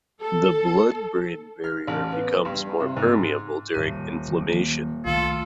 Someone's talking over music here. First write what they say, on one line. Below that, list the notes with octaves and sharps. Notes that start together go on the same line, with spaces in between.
The blood-brain barrier becomes more permeable during inflammation.
A4
F6
A1
B3
G2
C3
G#2
D#1 D#7
D#3 F#3 A#3
C2 D#3 A3 F4 A4